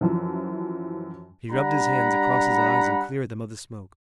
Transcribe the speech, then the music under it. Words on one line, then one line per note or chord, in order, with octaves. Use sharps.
He rubbed his hands across his eyes and cleared them of the smoke.
F#2 E3 F3
G3 D4 F#5 A#5 B5